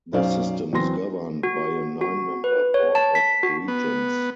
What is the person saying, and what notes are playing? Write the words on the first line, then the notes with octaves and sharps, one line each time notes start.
The System is governed by a nine-member Board of Regents.
B1 F#2 C#4 C5 D5 F5
E2 F#3 C4 C6 A#6
F#4
F#4
B4
C#5
A5
B6
F#4
B3